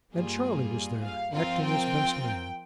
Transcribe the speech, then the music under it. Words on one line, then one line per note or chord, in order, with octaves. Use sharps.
And Charley was there, acting as best man.
G2 G3 A#3 F4 G#4
F5
F3 C4 F4 A#4 F5
G5